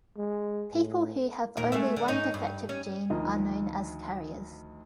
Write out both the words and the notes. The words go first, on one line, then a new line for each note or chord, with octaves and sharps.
People who have only one defective gene are known as carriers.
G#3
A2
D#2 A#2 A#4
G#3 A3 E5
D3
G#2 D#4 C#5
G2
C#4
D2 D#3 F3 A#4 D#5